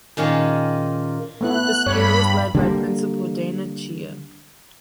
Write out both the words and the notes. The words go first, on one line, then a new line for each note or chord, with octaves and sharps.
The school is led by Principal Dayna Chia.
A#2 D#3 C#4 F4 G#4
A3 B3 E4 F#6
G2 G3 C#5 B5
D3 G3 A#3